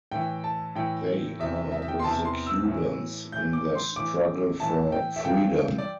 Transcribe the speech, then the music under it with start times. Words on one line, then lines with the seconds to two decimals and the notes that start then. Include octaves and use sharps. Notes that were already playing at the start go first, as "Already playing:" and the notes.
They are with the Cubans in their struggle for freedom.
0.11 A2 E3 G5
0.44 A5
0.75 A2 E3 G5
1.39 E2 C3 E3 E5
1.56 E5
1.72 E5
1.82 E5
1.88 G5
1.99 C6
2.04 E2 C3 E3 A5
2.25 C6
2.47 E6
2.68 A2 E3
3.32 A2 E3 G6
3.53 D6
3.75 C6
3.96 A2 E3 D6
4.60 A2 E3 A5
4.92 G5
5.16 E5
5.24 G2 E3 G5
5.78 D5